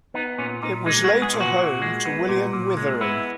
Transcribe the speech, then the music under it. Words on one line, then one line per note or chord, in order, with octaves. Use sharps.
It was later home to William Withering.
B3 D#4
A#2 C#4
A#2 D#4
G#3 D#4
F#4
B3
G#4
A#2
F#4
A#2
G#3
B3
A#2
A#2
G#3
B3 E4